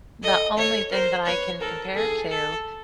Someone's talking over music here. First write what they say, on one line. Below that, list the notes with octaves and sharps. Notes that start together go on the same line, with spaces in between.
the only thing that I can compare to
A4 D#5
A4 C#5
A#4 C5
B4 C#5
A4 A#4
G#4 A4
A4